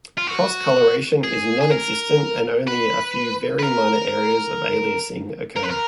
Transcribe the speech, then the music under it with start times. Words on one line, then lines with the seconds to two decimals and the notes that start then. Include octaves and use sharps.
Cross coloration is non-existent and only a few very minor areas of aliasing occur.
0.18 F4
0.27 F#4
1.24 G#4
1.61 G#4
1.71 A#4
2.67 B4
3.59 B4
3.63 A#4
5.57 A#4
5.64 B4
5.71 A#4